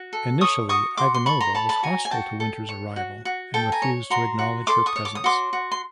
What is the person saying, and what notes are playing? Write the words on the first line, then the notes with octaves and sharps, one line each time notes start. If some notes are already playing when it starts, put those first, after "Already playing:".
Initially, Ivanova was hostile to Winters' arrival and refused to acknowledge her presence.
Already playing: F#4
A4
C#5 C#6 D#6
F#4 C#6 D#6
F#4 C6 D6
C6
A4 B5 C#6
A#5 C6
C#5 A5 B5
A5 B5
F#4 G#5 A#5
G#5
F#4 G5 A5
A4
C#5
F#4
F#4
A4 G5 A5
G#5 A#5
C#5
F#4 A#5 C6
F#4
A4 C6 D6
C#6 D#6
C#5
D6
D#6
F#4 C6 D6
F#4
C6